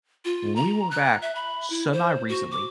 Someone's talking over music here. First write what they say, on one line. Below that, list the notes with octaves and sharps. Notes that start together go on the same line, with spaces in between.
When we went back semi-recently,
F4
A#5
F#6
E5
B5
E4
C5
F#4
D6